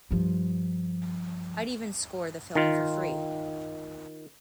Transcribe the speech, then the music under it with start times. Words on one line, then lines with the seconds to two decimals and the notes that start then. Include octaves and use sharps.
I'd even score the film for free.
0.11 G2 F3
2.55 D#3 F4